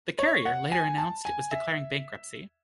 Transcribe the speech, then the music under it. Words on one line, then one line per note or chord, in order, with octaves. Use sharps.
The carrier later announced it was declaring bankruptcy.
C#5
F#5
G#5
A5
G#5
E5